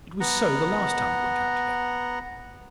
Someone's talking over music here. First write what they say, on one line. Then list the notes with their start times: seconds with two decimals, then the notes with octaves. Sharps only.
It was so the last time we went out together.
0.20 B3 F#5 A#5